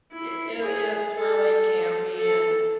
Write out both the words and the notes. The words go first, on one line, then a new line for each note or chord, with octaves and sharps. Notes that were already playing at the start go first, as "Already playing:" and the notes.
y it it's really campy, and
E4
G#4
A4
A4